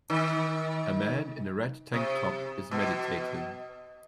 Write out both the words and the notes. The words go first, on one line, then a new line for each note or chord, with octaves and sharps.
A man in a red tank top is meditating.
D#3
C3
B2